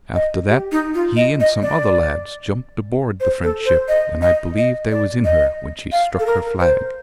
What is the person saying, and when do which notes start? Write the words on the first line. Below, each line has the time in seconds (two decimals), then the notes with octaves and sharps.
After that he and some other lads jumped aboard the French ship, and I believe they was in her when she struck her flag.
0.15 D#5
0.49 G4
0.72 D#4
0.95 F4
1.16 D#5
1.40 D#5
1.63 D5
3.20 C5
3.43 A4
3.66 C5
3.88 D#5
4.22 D#5
4.57 D#5
4.91 D5
5.25 D#5
5.92 F5
6.19 A4
6.26 A#4
6.60 C5